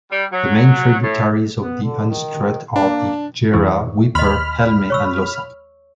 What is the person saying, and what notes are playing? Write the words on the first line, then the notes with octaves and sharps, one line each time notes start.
The main tributaries of the Unstrut are the Gera, Wipper, Helme, and Lossa.
G3
F#3
A2
B3
D3
D#3
A#3 D4
F2 E3 E4 C#6
D#2 D#5 B5 C6 F6
C#5 C#6 E6